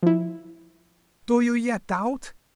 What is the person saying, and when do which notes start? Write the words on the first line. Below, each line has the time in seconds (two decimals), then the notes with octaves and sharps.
"Do you yet doubt?"
0.03 F3 E4